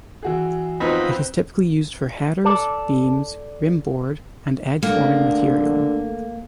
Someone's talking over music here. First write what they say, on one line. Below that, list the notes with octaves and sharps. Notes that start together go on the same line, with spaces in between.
It is typically used for headers, beams, rimboard, and edge-forming material.
E3 F#4 G#4
F2 B3 C4 D#4 F4 D#5 B5
A4 D5
D3 A3 A#3 A4